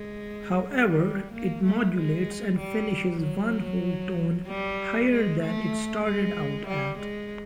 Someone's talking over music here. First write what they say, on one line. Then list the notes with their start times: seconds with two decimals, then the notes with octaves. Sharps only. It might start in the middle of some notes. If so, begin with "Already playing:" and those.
However, it modulates and finishes one whole tone higher than it started out at.
Already playing: G#3
0.71 G3
1.33 A#3
1.65 A3
1.96 G#3
2.59 G3
3.21 F#3
4.47 G3
5.10 G#3
5.42 A3
6.05 G#3
6.67 G3
6.98 G#3